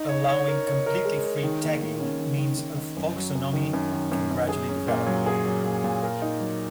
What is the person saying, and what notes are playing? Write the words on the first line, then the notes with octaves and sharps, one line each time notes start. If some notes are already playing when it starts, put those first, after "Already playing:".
Allowing completely free tagging means a folksonomy can gradually develop.
Already playing: D#4
C#5
C#5
A#4
C#5
A#4
G#3
C#5
D#3
A#3
D#3
C#4
D#3
D#3
D#3
D#3
F#2
F#3
F#2
D#3
F#2
D#3
F#2
F#2
G#4
C#4
A#2
F#3
G#4
F#3
A#2
A#2
A#4
D#4
F#3